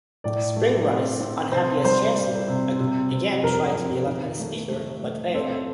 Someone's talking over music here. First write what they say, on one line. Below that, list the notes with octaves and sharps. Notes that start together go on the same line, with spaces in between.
Spring Rice, unhappy as Chancellor, again tried to be elected as Speaker, but failed.
A2 D5
A3
C4
C4
C3 C5
G3 C5
G3
C3
C3
C3
F2 A#4
F2
D#3
A3
A3
A3
C4 A4
A4